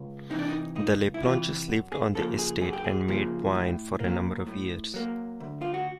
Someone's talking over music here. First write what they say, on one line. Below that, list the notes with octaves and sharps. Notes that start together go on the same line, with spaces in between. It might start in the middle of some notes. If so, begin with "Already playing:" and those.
The Laplanches lived on the estate and made wine for a number of years.
Already playing: C#2
C3 E3 D#4
D4
D#4
C#2 D#4
E4
C3 E3 F4
F#2
G#4
C#3 F3 A#3 A4
G#4
F#2 G#4
G4
G#4
C#3 F3 A#3
A2
F#3 A#3
A2
F#3 A#3
D2
F4
F#4